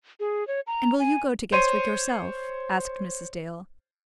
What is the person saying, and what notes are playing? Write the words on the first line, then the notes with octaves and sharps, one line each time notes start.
"And will you go to Guestwick yourself?" asked Mrs. Dale.
G#4
C#5
A#5
G#5
C5 C#5 C6 D#7